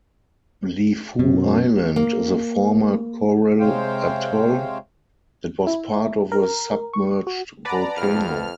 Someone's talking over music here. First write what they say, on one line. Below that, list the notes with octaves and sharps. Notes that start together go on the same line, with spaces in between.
Lifou Island is a former coral atoll that was part of a submerged volcano.
F#2 B2
A#3
C3 G#3 C5 C#5 F5 G5
E4
A#4
C#6
F#4
B4 D5 F#5 A5 A#5
F2 F6